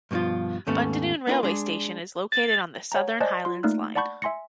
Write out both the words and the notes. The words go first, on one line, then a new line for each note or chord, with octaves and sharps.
Bundanoon railway station is located on the Southern Highlands line.
G2 B2 E3 F3 F4
D#2 G#2 A3 B3 C#4
A#3 D4 D#4 F4 B4
G#3 D4
A6
C#5 F#5 G#5 A#5
C5 D5 D#5 G#5 A5 F#6
F4 C6
A3 A#3 D#4 D5 F6 F#6
D5 F#5 A5 B5 C#6 G6
E5 G#5 C6 A#6 C#7